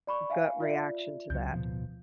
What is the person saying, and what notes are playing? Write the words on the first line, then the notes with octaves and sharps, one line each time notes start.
gut reaction to that?
D5 B5 C#6
E5 F5 G#5
F4 D5 E5
C#2 C#3 F#3 G6
D1 B2 F3